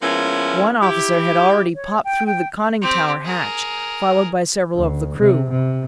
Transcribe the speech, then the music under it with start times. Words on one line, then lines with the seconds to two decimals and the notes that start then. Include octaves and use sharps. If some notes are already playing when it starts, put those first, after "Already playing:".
One officer had already popped through the conning-tower hatch, followed by several of the crew.
0.02 F3 G#3 A#3 B3 C#4 E4
0.82 E4 G4
1.75 C#5
2.04 G5
2.26 G5
2.81 C4 G4
3.25 G#4 A#4
4.76 D2
5.19 C3
5.51 C3